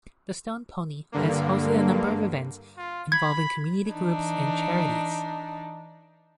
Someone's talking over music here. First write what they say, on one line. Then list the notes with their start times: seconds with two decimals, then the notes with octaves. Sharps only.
The Stone Pony has hosted a number of events involving community groups and charities.
1.12 G2 D3 A#3
2.77 F4
3.12 B5 G#6
3.90 E3 D4 D#4